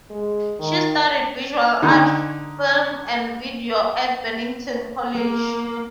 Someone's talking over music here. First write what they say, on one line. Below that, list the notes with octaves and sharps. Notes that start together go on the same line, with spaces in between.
She studied visual art, film and video at Bennington College.
G#3
D#3
D3 D#4
A#3